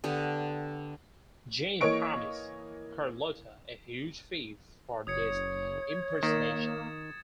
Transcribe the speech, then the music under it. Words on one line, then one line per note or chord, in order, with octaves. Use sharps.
Jane promised Carlotta a huge fee for this impersonation.
D3 B3 G4
E3 A#3 C#5 D#5 C#6 D7
F#1 C#5 D#6 G#6 C#7
D#3 A#3 G#6 A6 E7